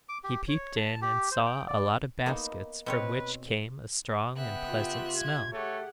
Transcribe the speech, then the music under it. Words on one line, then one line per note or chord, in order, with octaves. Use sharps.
He peeped in and saw a lot of baskets from which came a strong and pleasant smell.
D6
G4
C#5
A5
G4
C5
G5
D5
A#3 B3 D#4
B2 C4 B4 C#5
C#3 B3 E5 G5 F#6
F4 G4
G#6
A3 G4 G#4 C#5 F#5